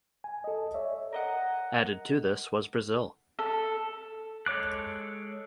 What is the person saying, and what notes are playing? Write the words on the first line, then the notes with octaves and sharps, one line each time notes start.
Added to this was Brazil.
G#5
A4 D#5
C#5 D5 E5
A#4 D#5 F#5
A4
G#3 A4 C#5 D6 F#6